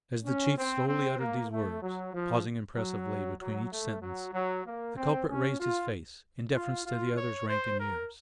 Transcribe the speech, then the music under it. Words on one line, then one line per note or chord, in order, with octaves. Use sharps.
As the chief slowly uttered these words, pausing impressively between each sentence, the culprit raised his face, in deference to the other's rank and years.
C#4
C4
C4
A#3
A3
F#3
F3
F#3
F#3
A3
F#3
F#3
A#3
C4
C#4
F4
F4
F4
C#5
C5
A#4